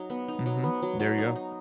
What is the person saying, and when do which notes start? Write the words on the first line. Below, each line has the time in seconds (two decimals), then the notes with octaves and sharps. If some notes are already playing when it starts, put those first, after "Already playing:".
Mhm. There you go.
Already playing: F#3 D#4
0.10 B3
0.28 D#4
0.46 F#3
0.63 B3
0.82 F#3
0.99 F#3
1.18 D#4
1.35 D#4